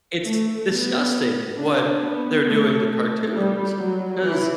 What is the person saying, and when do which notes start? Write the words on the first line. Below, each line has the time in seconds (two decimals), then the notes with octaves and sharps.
It's disgusting what they're doing to cartoons, 'cause
0.24 A3
0.68 B3
1.57 D4
2.00 B3
2.45 A3
2.89 A3
3.34 G3
3.78 F#3
4.23 E3